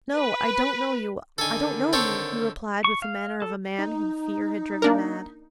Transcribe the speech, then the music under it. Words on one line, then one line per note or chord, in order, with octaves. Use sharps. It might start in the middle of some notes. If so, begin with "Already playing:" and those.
'No, I don't know you--I don't know you,' he replied, with the manner of a man whom fear had driven mad.
B4
D3 D#3 A4 G#5
C4 A4 C#5
C#6
F5
A4
D#4
A#3 D4 A#4